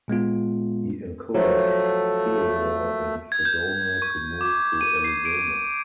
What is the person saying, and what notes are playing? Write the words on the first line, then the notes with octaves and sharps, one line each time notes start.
He encouraged Theodore and Sedona to move to Arizona.
A#2 G#3 B3 F4
F3 F#3 A3
G#6
G6
C#6
D6
D#7
C7
D7